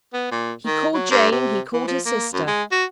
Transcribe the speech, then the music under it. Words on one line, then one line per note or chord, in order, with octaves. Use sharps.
He called Jane; he called his sister.
B3
A#2
D#3
F#3
G2
C3
E3
F3
A#3
F#2
G#3
F#4